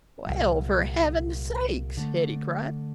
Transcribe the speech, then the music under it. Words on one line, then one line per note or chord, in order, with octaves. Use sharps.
"Well, for heaven's sake," Hetty cried.
C2 A#2 F#3
D3 F3 A3